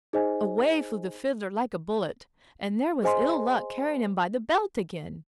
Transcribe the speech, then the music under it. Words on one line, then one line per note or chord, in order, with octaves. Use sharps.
Away flew the Fiddler like a bullet, and there was Ill-Luck carrying him by the belt again.
D#4 G#4 C5 D#5 G#5
G#4 C5 D#5 G#5 C6